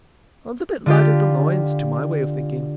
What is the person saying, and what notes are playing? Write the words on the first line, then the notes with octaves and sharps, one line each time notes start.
"Runs a bit light at the loins, to my way of thinking'."
D3 F4 G4